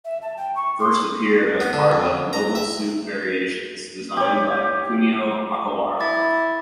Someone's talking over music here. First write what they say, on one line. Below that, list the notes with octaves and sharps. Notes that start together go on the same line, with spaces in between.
First appear as part of Mobile Suit Variations, design by Kunio Okawara.
E5
A5
G5
C#6
C6
B3
D3
F2
A#5
E5
G4 C#5
E4 D6 A6